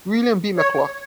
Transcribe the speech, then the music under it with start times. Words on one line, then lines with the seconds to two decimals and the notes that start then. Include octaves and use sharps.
William B. McCulloch.
0.58 C#5